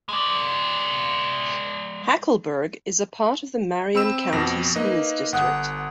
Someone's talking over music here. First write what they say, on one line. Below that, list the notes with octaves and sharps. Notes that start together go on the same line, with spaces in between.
Hackleburg is a part of the Marion County Schools district.
G#3 D5
C4 B5 E6 E7
F2 B2 A#6
A#3 D#4 B4 D#5
G1 F#5 D#6 F#6